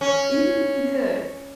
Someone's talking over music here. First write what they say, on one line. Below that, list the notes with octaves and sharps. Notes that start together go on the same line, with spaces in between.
Even if you could,
C#4